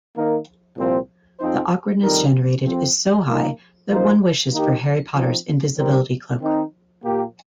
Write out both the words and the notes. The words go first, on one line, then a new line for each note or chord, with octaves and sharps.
The awkwardness generated is so high that one wishes for Harry Potter’s invisibility cloak.
D#3 A#3 D#4 A#4
C2 A#2 F3 C4
F2 F3 C4 D#4 C5
F2 D#3 G3 D#4 A#4
F2 F3 C4
A#2 A#3 D#4 A#4
F3 A#3 D#4 C5
D#3 A#3 D#4 G4 A#4
F3 C4 D#4
D#3 G3 C4 G4 A#4
D#3 C4 D#4
A#2 A#3 G4